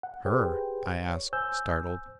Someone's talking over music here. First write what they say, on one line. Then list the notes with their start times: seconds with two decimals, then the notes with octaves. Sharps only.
"Her?" I asked, startled.
0.03 F#5
0.25 G4 G#4 B4 C5 G5
1.09 C#5
1.33 C5 G#5 E6 G6